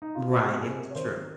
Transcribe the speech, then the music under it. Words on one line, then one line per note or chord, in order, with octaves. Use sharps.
Right, it's true.
D#4
F4
F#4
C3 G#4
G#4
C3
A#4
C#5
D#3 C5